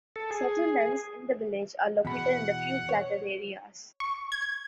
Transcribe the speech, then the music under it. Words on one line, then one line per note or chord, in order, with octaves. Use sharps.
Settlements in the village are located in the few flatter areas.
A4
G#4
E2 B2 F#5 B5
C#5
C#6
G#6